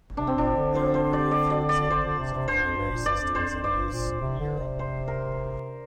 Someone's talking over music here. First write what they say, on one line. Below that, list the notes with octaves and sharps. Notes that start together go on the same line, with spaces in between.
There are very few examples of primary systems in use in Europe.
C3 D4
C4
A#2 D4
D3
C5
C5
D5
D5
D5
D5
D3 C5
D3
C3
C3
G2 C5
F2
G2
A#2
G2 D5
F2
F2 C5
F2
G2 D5
A#2
C3
D3
C3
C5
A#4